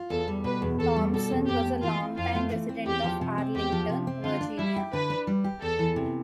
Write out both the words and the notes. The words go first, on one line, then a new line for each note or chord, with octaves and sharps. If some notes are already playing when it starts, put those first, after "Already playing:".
Thompson was a long-time resident of Arlington, Virginia.
Already playing: F4
E2 A4
G3
B2 B4
E2
E2 A4
G3
B2 A4
E2
F2 G4
A3
E3 F4
C4
F2 F4
A3
E3
C4
E2 G4
F3
C3
C4
E2 G4
F3
C3
C4
D3 F4
D4
G3 E4
G4
D3 B4
D4
G3
G4
E2 A4
E3
C3